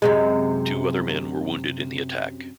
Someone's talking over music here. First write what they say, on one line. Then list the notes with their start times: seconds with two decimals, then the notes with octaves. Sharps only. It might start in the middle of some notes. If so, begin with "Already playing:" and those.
Two other men were wounded in the attack.
0.02 F#2 C3 G#3